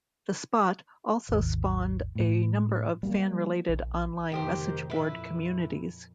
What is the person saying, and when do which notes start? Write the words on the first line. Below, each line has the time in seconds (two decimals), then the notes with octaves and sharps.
The Spot also spawned a number of fan-related online message board communities.
1.29 G#1 D#2
2.15 A2
3.03 G3 A#3
3.69 A#1
4.32 F1 D#3 G4 G#4 C5
4.90 F2 A#2 E4 B4